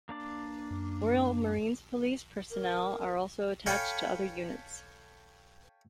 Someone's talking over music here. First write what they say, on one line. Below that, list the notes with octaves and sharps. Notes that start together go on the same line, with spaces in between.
Royal Marines Police personnel are also attached to other units.
A#3 D4 D5
F#2
A#4
A4 C#5 F5 G5 G#5 B5